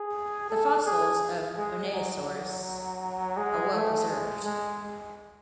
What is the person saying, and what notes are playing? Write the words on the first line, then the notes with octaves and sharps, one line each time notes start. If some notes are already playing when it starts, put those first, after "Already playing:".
The fossils of "Unaysaurus" are well preserved.
Already playing: G#4
A4
G#4
G#3
F#3
G#3
A3
G#3
G#3